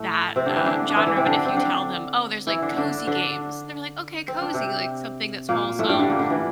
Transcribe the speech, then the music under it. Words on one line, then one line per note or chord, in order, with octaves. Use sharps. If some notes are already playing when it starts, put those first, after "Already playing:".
that, uh, genre but if you tell them, "Oh, there's, like, cozy games," they're like, "Okay, cozy," like, something that's wholesome,
Already playing: A2 A3
C3 C4
D3 D4
E3 E4
D3 D4
D4
E3 E4
E3 E4
C3 C4
D3 D4
C4
D3 D4
E3 E4
D3 D4
D3 D4
D3 D4
C4
D4
C3 C4
A#2 A#3
A2 A3
G2 G3
D3 D4
A#2 A#3
D3
E3